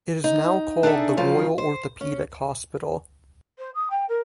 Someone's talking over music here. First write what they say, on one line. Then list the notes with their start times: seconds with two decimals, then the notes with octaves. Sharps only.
It is now called the Royal Orthopaedic Hospital.
0.24 D#4
0.83 D4 D#4 G#4 A4 D5 E5
1.17 G2 C#3 F3 F#3 F4
1.58 C5
2.01 C#4
3.58 C5
3.75 D#6
3.90 G5
4.09 A#4